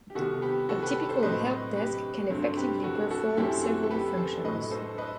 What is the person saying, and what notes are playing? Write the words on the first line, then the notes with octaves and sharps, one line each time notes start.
A typical help desk can effectively perform several functions.
G4
C3 D#3 G3 B3 F#4 A4
G4 B4
F#4 A4
G4 B4
A4 C5
A2 F#3 C4 B4 D#5
G4 B4
G2 F#3 A3 C4
G4 B4
F#4 A4
F#4 A4
F#2 F#3 A3 C4 E4 G4
F#4 A4
A4
G4 B4
A4 C5
A2 F#3 A3 B4 D#5
A4 C5
B4 D#5